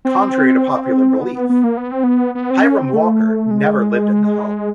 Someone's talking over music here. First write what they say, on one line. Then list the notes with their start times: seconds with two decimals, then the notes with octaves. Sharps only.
Contrary to popular belief, Hiram Walker never lived in the home.
0.05 C4
1.21 B3
1.35 B3
1.49 B3
1.64 A#3
1.77 B3
1.92 C4
2.04 B3
2.35 B3
2.50 C4
2.64 C#4
2.79 C4
2.93 A3
3.51 G#3